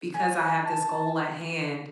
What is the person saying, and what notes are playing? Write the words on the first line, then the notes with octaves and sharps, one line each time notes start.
"Because I have this goal at hand,
G#5
A5